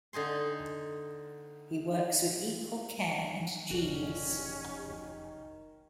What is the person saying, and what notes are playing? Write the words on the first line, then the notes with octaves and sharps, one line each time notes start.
He works with equal care and genius.
D3 D#4 G#5 C6
F1 B1 D#3 C#4 F#4 A4 D5